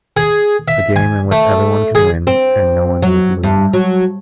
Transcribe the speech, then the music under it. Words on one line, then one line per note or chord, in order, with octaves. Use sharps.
A game in which everyone can win and no one need lose.
G#4
E5
G#5
A3
G#4
C4
F#3
G2
F#3